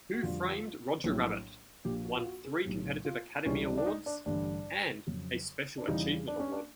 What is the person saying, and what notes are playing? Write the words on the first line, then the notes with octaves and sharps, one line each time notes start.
"Who Framed Roger Rabbit" won three competitive Academy Awards and a Special Achievement Award.
F#4
F2 D3 G3 F4
A#1 A2 F#3
A#1 A#2 F3 G4
F#4
F4
F#4
G#4
B1 A2 F#3 G4
F4
C#2 C3 E3 G3 C#4
D4
D4
D#4
D4
A1 G2 D3 G3 D4
F2 C#3 F#3
D4
E2 C#3 E3 G3 D#4
D4
C#4
D4